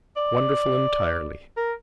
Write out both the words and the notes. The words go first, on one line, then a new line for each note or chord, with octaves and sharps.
Wonderful entirely.
D5
A#4